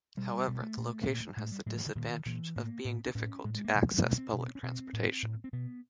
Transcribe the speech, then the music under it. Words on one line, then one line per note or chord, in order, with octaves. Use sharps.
However, the location has the disadvantage of being difficult to access public transportation.
B2 G3
B2 G3
A3
A#2
A#2
A2 G#3
G3
A2 F#3
E3
D3
A#2 D#3
A#2 E3
A2 A#3
A2 B3
D4
A2 C#4
A2 G#3
G#3
A#3
B2 E3
F3
F#3
B2 A3
C4
B2 D4
C#4
C4
C#4
B2 C4
A2
A2
C4
B2 B3